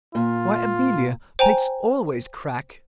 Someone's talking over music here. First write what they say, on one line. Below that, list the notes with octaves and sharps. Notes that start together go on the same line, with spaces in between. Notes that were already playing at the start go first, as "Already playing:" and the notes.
"Why, Amelia, plaits always crack!"
A#2 F4
C5 G5 G#5 A#5